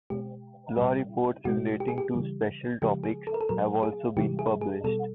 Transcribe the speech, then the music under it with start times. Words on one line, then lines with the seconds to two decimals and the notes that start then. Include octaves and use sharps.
Law reports relating to special topics have also been published.
0.10 B2 G#3 G4
0.78 A#2 G3
1.45 B2 G#3 F#4
1.80 G4
1.88 G#4
1.98 G4
2.14 C#3 E3 G3
2.82 C#3 F3 G#3 G4
3.04 G#4
3.27 A4
3.34 A#4
3.41 A4
3.49 A#2 F#3 A#4
3.83 G#4
4.17 C3 E3 G3 G4
4.39 G#4
4.61 G#4
4.84 B2 G3 A4